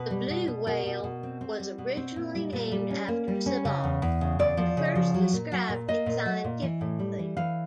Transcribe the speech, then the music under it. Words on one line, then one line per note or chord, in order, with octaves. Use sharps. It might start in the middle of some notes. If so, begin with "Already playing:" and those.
The blue whale was originally named after Sibbald, who first described it scientifically.
Already playing: B2 B4
G3
B2
B2
B2 A#4
B2
B2
C4
C4
G3
B2
C4
A#2
G3
A#2
G3
C#4
A#3
G3
C#4
C#3
E2
E2
C#3
E2 D5
F3
C#3
F3
F#3
A#2
F#3
A#2
A#3 D#5
A#2
F#3
A#2
E3
A2
G3
E3
E3 F5